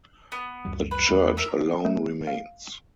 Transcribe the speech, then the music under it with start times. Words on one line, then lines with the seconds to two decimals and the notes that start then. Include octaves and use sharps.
The church alone remains.
0.32 B3
0.65 C#2 F#2 G3
0.91 B4
1.09 E2 G#3 C4
1.37 A#4 E5
1.85 A3
2.27 F5